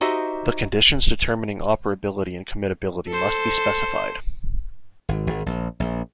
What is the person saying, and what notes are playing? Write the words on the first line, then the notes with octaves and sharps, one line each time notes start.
The conditions determining operability and committability must be specified.
D#4 F#4 G4 C5 D#5 E5
A4 C5
G#1
G#1
A#1
A#1